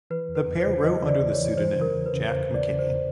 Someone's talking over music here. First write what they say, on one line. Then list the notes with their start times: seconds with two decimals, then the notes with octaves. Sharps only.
The pair wrote under the pseudonym Jack McKinney.
0.10 E3 B4
0.29 E2
0.35 B4
0.48 E2
0.60 C5
0.66 C#3
0.84 E3 D#5
1.02 C#3
1.08 D5
1.20 E2
1.33 C#5
1.38 E3
1.57 E3 C5
1.75 C#3
1.81 A#4
1.93 E2
2.06 B4
2.12 C#3
2.30 E2 C5
2.49 C#3
2.54 D5
2.67 C#3
2.79 C5
2.85 E2